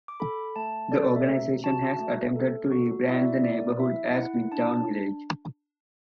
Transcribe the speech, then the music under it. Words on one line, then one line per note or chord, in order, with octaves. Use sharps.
The organization has attempted to re-brand the neighborhood as Midtown Village.
D6
A4 B5
A3 A5
A4 D5
E5
A3
F#4 A5
A3
A4
F#4
E4 E5
D5
E5
B3 D5
E4 E5
E4 F#5
D4 A5